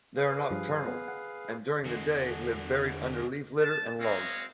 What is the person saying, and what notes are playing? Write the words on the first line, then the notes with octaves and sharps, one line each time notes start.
They are nocturnal, and during the day live buried under leaf litter and logs.
G#4 B4 F5
G2 F3
B3
F#5
E2 D3 G#3 F#4
A5
G#3 C4 F#4 C#5 D#5 F5